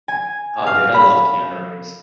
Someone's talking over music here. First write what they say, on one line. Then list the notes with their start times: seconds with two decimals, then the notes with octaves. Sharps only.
Oh, dude, I love Keanu Reeves.
0.08 G#5
0.66 F5
0.94 B5